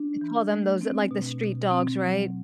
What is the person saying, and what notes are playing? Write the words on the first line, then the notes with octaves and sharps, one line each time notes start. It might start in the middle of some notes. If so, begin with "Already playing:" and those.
I call them those, eh, like, the street dogs, right?
Already playing: D4
E3
A3
C4
B2
B2
C4
F#3